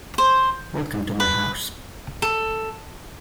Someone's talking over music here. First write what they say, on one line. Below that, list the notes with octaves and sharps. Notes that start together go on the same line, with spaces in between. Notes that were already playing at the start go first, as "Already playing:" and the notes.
Welcome to my house.
C5
B4
A4